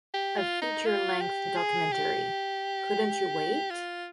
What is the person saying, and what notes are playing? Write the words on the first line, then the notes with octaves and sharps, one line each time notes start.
A feature-length documentary, Couldn't You Wait?
G4
F4
D#4
F4
G4
G#4
G4
F4